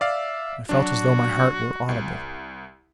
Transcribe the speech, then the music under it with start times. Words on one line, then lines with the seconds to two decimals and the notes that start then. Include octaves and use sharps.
I felt as though my heart were audible.
0.01 D5 E5 F5
0.69 F#3 D4 F#4
1.89 C2